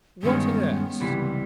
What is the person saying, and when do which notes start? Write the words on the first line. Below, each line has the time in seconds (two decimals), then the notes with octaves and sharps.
"What as?"
0.23 G2 D#3 G#3 B3 C#4
1.00 C#2 C3 E3 G3